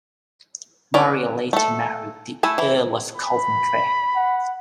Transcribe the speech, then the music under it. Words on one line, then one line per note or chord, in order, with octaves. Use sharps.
Maria later married the Earl of Coventry.
C#4 B4 D5
A3 A4
A3 E4 E5 G#5
E3 E4
B5
F#5